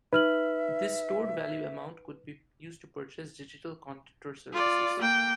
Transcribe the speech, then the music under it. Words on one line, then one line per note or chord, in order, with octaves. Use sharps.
This stored-value amount could be used to purchase digital content or services.
D#4 B4 E5 F6 F#7
F4 D5
A#3 G5